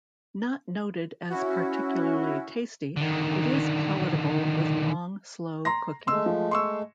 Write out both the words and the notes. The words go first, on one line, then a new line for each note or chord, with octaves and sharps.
Not noted as particularly tasty, it is palatable with long, slow cooking.
C#4 E4 F#4
D3 D#3
A#5 C6 A#6
G#3 A3 C6 E6
F3
C6 C#6 E6